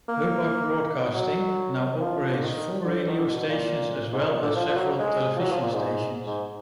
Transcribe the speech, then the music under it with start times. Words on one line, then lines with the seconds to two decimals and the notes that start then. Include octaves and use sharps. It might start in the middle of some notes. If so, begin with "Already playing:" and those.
Hubbard Broadcasting now operates four radio stations as well as several television stations.
0.08 A#3
1.15 F#3
2.01 F3
2.34 D3
2.43 D#3
2.85 D3
3.09 D#3
3.18 D3
3.28 B2
3.49 A#2
4.13 G#2
4.28 A#2
4.42 D3
4.56 F3
4.69 F3
4.77 F#3
4.99 G#3
5.36 F3
5.41 F#3
5.51 F3
5.63 A#2
5.73 G#2
6.26 G#2